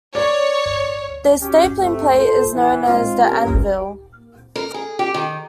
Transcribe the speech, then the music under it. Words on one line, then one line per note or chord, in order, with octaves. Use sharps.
The stapling plate is known as the anvil.
C#5 D5
F#3 C#4 G4
C3 A3
F4 A4 A#4 C5
E3
G#2 G#3 C4 F4
B3 C#4 G4 G#4 A#4
A#4
G#4
G4
D#3